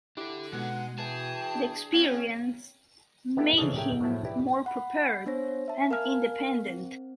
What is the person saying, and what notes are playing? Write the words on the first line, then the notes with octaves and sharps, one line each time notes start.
The experience made him more prepared and independent.
D4 E4 G4 A4 D6
B2 G#3 B3 D#4 F#5
E3 F#4 G#4 G5 A5
D4
C4 C#4 F5 G5 G#6
B3 D4 E4 G4 A4
C#3 E3 F3 D4 A4 D#5
A2 G#3 G4 A#4 E5 G5
A2 F3 F#3 E4 A5
E4 G4 B4 D5
F#5 B5
B3 D4 C5 C#5 A#6
E5 A5
A#4 F5 G#5 F6
C4